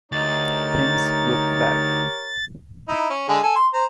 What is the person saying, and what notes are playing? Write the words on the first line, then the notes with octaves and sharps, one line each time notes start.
Things look bad.
D2 D#4 G4 A#4 C#5 A6
D#4 E4
C#4
D3 G#3 G#4
A4 G#5
C6
C5 A#5